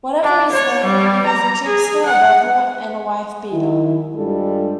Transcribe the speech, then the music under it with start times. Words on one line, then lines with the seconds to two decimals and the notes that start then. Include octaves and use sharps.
Whatever his name, he is a trickster, a rebel, and a wife beater.
0.23 D4
0.52 C#5
0.84 G3
1.26 A#5
1.66 G#4
2.06 F#5
3.53 D#3 E4
4.15 G2 G3 G#3 D4 F4 A4